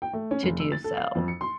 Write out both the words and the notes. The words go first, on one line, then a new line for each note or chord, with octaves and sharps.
to do so."
G5
A3
C#4
F1
E6
A6
A4
F5
F2
C#7
C6